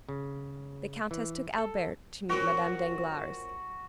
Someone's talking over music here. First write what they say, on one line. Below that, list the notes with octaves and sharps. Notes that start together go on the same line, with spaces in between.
The countess took Albert to meet Madame Danglars.
C#3
E3
A4
A#2 F#3 C4 F#4